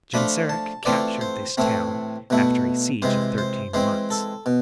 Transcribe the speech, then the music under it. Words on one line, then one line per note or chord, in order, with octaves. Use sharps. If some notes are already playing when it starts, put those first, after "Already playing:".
Genseric captured this town after a siege of thirteen months.
F3 A3 D4 F4 B5
A5
E3 A3 C4 F4 D5
C5
A2 E3 A3 C4
B2 A3 E4
C3 E3 G#3 C5
C5
E3 G#3 C4 C5
A4
B2